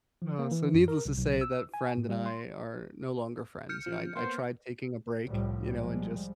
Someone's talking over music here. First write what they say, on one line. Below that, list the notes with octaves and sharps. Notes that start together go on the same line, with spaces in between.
Oh, so needless to say, that friend and I are no longer friends. You know, I I tried taking a break, you know, and just
F3
A#3
E3
F#2
A#4
C2
B1
E6
G#5
A2
G3
C6
F6 G6 C#7
F3
A#3 B3 C5
C2 A2 F3 G3
F3 G3 G#3